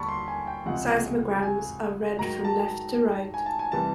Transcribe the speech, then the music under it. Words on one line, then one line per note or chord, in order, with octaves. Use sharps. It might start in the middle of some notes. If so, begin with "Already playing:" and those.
Seismograms are read from left to right.
Already playing: D#2 D3 G3 A5 B5 C#6
C6
G#5
G5
C#2 C3 F3 G#3 F#5
G#5
G#2 D#3 F#3 A#5
A5
G#5
A5
G#5
C3 E3 G3 A5